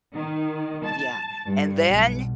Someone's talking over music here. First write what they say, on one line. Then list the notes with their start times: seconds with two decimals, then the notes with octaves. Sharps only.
Yeah, and then,
0.14 D#3
0.84 A5
1.45 G2
1.86 B1